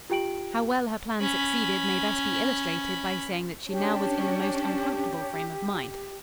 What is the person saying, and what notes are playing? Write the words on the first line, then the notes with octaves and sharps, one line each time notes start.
How well her plan succeeded may best be illustrated by saying that she now was in a most uncomfortable frame of mind.
F4 G4 G5 D7 F#7
C#4 B5
C#4 D4 G4